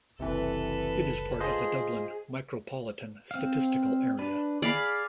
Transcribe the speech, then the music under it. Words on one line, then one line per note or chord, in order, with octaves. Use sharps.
It is part of the Dublin Micropolitan Statistical Area.
F#1 C2 C3 E3 A4 B4
F4 G#4 C5 D#5
C4 F5
D4 B4
G#4 D5 F5 B5